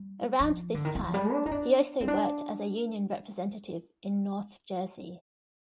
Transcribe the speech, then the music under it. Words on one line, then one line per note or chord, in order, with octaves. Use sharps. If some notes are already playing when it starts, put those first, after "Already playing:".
Around this time he also worked as a union representative in North Jersey.
Already playing: G3
F3
D3
D#3
F3
G3
D4
D#4
D4
C4
D4